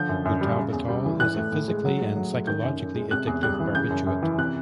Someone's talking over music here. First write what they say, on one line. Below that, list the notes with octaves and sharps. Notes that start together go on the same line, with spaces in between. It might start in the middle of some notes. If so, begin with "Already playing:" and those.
Butalbital is a physically and psychologically addictive barbiturate.
Already playing: D3 F3 G6
F#2
F#2
G3
C#3
E2
G3
E3
E3 F#6
A2
A2
G#3
F#3
A2
F#3
A2
D#3 G6
F#2
F#2
G#3
C3 F#6
E2
G3 F#6
E3
C#3 G6
F#2
F#2
E3
C3 F#6